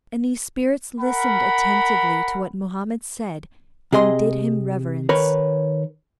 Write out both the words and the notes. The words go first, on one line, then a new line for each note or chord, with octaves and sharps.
And these spirits listened attentively to what Mohammed said and did him reverence.
A#4 F#5 B5
C3 G#4 D#5 C6
D#3 A#4 B4 C#5